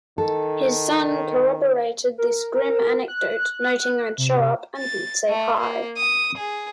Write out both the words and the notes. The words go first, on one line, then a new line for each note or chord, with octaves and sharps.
His son corroborated this grim anecdote, noting I'd show up and he's say 'Hi.
D#3 A4
A#4
A#4
F#6
C3
A6
A3
A#3
D#6
G#4